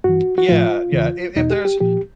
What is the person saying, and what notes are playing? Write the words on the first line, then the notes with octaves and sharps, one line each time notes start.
Yeah, yeah. If if there's
G2 E3 F#4
F#4
A2 F3 F4
E2 C#3 E3
E2 B2 D#4
G4
G4
A#2 F3 G4